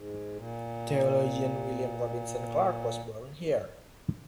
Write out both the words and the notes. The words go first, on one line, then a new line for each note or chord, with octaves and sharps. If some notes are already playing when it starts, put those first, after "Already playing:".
Theologian William Robinson Clark was born here.
Already playing: G#2
A#2